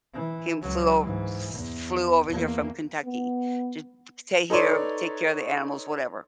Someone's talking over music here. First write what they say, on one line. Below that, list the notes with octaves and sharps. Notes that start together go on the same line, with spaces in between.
he flew o flew over here from Kentucky to to stay here, take care of the animals, whatever.
E3
C#2 F#3
G#2 E3
E2
E2 A#3
B3
D#4 A4 B4 C#5 D5 C6